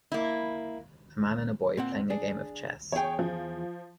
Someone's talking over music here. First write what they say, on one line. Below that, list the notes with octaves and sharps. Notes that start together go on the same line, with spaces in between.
A man and boy playing a game of chess.
A#3 E4
A#2 C4 F#5
D4 G#4
E2 G#4 C#5 G5
F3